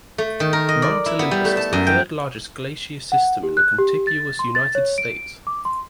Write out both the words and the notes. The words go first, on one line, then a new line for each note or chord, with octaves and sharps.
Mount Olympus has the third largest glacier system in the contiguous United States.
A3
D#3
A#4
D#5
D5
E4
B3
G3
A3
A5
F#2
G5
F#5
G4
F#6
G4
A6
C6
A6
C#5
D7
D6
C6